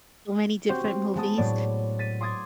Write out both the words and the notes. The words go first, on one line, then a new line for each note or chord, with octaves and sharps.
so many different movies,
C4 F#4 G4 C5
C4
G#3 B3 A5 D#6
A2 F#3 D5
A6 B6 D#7
C6 D6 D#6 G#6 A6